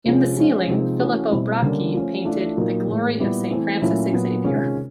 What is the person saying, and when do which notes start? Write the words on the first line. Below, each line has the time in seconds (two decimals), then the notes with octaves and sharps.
In the ceiling, Filippo Bracci painted "The Glory of Saint Francis Xavier".
0.05 C3 F3 G#3 C#4 F4
0.37 F3 G#3 C#4 F4
0.67 C3 F3 G#3 C4 D#4
1.00 E3 A3 C#4 F#4
1.31 B2 G3 C4 E4
1.62 D3 G3 A#3 C#4
1.94 F3 A3 C#4
2.25 E3 A3 D4 F4
2.57 A#2 F#3 A#3 D#4 F#4
2.87 A2 E3 G#3
3.19 A#2 G3 B3 E4 G4
3.51 E3 A3 C4
3.82 A#2 F#3 A3 C#4 E4
4.13 A#2 F#3 B3
4.44 C3 D#3 G#3 C#4 F4